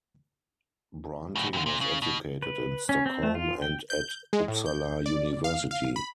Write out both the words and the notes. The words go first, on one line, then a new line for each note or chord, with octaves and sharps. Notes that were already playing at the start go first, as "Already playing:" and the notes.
Branting was educated in Stockholm and at Uppsala University.
D2 A2
G2 D3
A#2
C#3
B2
B4
C#4
C4
A3
F4
G5
G6
G#3
A2
G6
D5
F5
F5
B5